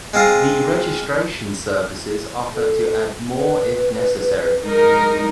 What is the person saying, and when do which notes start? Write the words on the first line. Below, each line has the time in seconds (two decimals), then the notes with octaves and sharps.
The registration services offer to add more if necessary.
0.14 G#3 C4 F4 F5 A#5
2.55 A4
3.35 B4
4.64 G#3 D#4 A#4